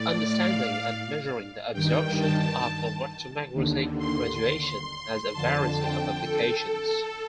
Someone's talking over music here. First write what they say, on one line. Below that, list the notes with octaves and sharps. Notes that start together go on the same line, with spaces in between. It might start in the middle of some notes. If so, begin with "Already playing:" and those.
Understanding and measuring the absorption of electromagnetic radiation has a variety of applications.
Already playing: A2 D5
F5
G2 D#3 G5
A5
D#2 D3
C6
F2 D3 A5
G5
A4